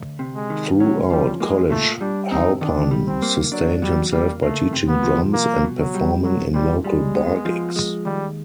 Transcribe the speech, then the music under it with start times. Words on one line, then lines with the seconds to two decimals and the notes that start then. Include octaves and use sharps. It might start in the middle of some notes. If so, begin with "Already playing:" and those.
Throughout college Halpern sustained himself by teaching drums and performing in local bar gigs.
Already playing: D2
0.19 C3
0.35 G#3
0.50 D#3
0.80 F#3 C#4
1.10 F3 G3
1.40 G#3 A#3
1.70 A#2 A3
2.01 G3 D4
2.31 C4 D#4
2.61 D#3 D4
2.91 G3
3.07 C4
3.22 A#3
3.52 F#3 D4
3.82 F#3 G3
4.12 G3 A#3
4.42 A3 A#3
4.73 C3
4.88 B3
5.03 F3
5.33 C2 A#3
5.64 B2
5.79 F#3
5.94 G3
6.24 C2 F#3
6.54 A#2 G3
6.84 G3 G#3
7.15 B3
7.45 F3
7.76 G#3
8.05 D#2 G3